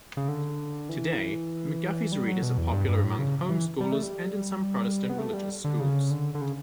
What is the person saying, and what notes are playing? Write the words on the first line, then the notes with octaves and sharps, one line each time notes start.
Today, McGuffey's Readers are popular among homeschoolers and in some Protestant religious schools.
C#3
D3
E3
G3
F#3
B2
E2
G2
G2
A2
C#3
E3
G3
A3
G3
B3
A3
G3
D3
C#3
D3
D3
C#3